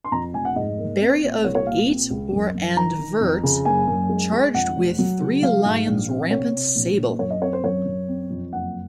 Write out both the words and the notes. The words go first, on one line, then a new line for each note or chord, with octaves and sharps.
Barry of eight or and vert, charged with three lions rampant sable.
C6
F2 A#5
F1 G#5
F#5
G#2 D#5
A#3
C4
A#2
C2 C#5
C#5
A#2 F5
C4
C#2
F#2
F#2
D#3 A#5
D#3
F2
C#3
F#1 G#5
F#2
G#3
G#3
F2 F#5
F1
F#3
C#3
F#3 F5
G#2
A#1
C4
C3 C#5
C3
A#1
A#2
F#2 C#5
D#5
C4 C#5
C5
F#2 C#5
F#2
C4
F2
F#1 F#5